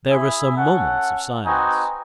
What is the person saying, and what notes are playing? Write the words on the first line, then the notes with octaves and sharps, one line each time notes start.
There were some moments of silence.
E4 G#4 E5 G#5
C#4 A4 F#5
C4 D#4 F#4 B4 G#5